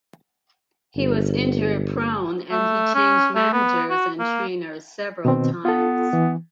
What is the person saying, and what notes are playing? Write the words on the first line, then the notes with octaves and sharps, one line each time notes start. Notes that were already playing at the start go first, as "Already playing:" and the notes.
He was injury prone, and he changed managers and trainers several times.
G1
A3
C#4
A3
B3
F#4
A#3
B2 D#3 C4
B3 F4 A4
E3